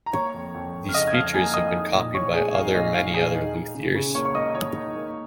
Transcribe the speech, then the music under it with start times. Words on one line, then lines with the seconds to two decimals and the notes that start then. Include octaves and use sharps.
These features have been copied by other many other luthiers.
0.06 A#5
0.13 A#3 C#5 C#6
0.34 F2
0.54 F2
0.74 F2
0.89 F6
0.94 C#3 D#5 D#6
1.07 G#6
1.14 F2 F5 F6
1.34 A#3 G#5 G#6
1.54 F2 D#5 D#6
1.73 D#4
1.94 A#2
2.14 A#2 C#5 C#6
2.34 G#3 G#4 G#5
2.54 D#4 F5
2.74 A#2 D#5
2.94 A#2 F5
3.14 A#2 G#4 G#5
3.34 D#4
3.54 D#4
3.75 C#3
3.95 C#3
4.15 A#3 C#5 C#6
4.25 C#5 C#6
4.35 A#3 D#5 D#6
4.55 A#3 C#5 C#6
4.75 D#4
4.96 A#3